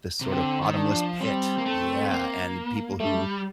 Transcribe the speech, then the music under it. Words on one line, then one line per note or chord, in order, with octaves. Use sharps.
this sort of bottomless pit Yeah, and people who
C3
D3 C4
D#3
D4
F3
G3 C4
A#3
A3
A#3
G3 A3